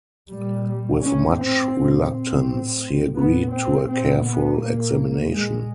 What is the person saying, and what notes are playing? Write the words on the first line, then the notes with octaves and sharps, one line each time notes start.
With much reluctance he agreed to a careful examination.
A#2 G3
A2 C#4
C4
A#2
C4
A2
A#2 B3
C4
A#2 C4
B3
A#2 A#3
A#2 G#3